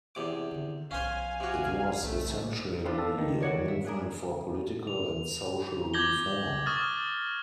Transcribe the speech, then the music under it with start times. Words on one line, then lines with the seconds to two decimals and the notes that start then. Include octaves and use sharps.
It was essentially a movement for political and social reform.
0.15 E2 C3 D6
0.51 D3 D#3
0.91 B1 F3 C#4 C5 F5 G#5
1.40 C3 F#4
2.03 B1 E3 A3
2.85 C4 D4 F4 B4
2.99 A4
3.18 D#3
3.41 F#4 C#5 D5
3.68 E5
3.85 D4 G#4 A#4
4.87 F7
5.94 D6 G6 G#6 A#6 F#7 G7
6.66 C#6 D#6 F6 A6